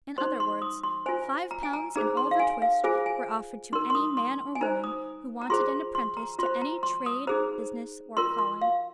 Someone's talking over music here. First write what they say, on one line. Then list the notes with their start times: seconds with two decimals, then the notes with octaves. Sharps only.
In other words, five pounds and Oliver Twist were offered to any man or woman who wanted an apprentice to any trade, business, or calling.
0.18 D#4 C5 C6
0.40 C6
0.62 D#6
0.83 C6
1.06 F4 C5 G#5
1.51 A#5
1.63 G#5
1.73 A#5
1.96 D#4 G#4 C5 A#5
2.17 C6
2.31 F5
2.39 G#5
2.62 F5
2.84 F4 G#4 C5 G#5
3.06 G#5
3.73 D#4 A#4 C6
3.90 C6
3.95 D#6
4.17 C6
4.55 G#5
4.61 D#4 C5 A#5
4.84 D#6
5.42 A#5
5.50 F4 G#4 C5 C6
5.95 C6
6.17 A#5
6.39 F4 C5 C6
6.62 A#5
6.83 C6
7.06 D#6
7.27 D#4 G#4 C5 A#5
8.17 F4 A#4 C6
8.39 C6
8.62 F5